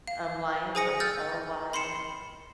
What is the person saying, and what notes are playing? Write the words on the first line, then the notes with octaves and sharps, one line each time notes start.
um, Lyons, like L-Y
F5
G#4 C5 G#5 D#6 A#6 C#7
E6 F6 G6 A6
B5 C6 C7 C#7 E7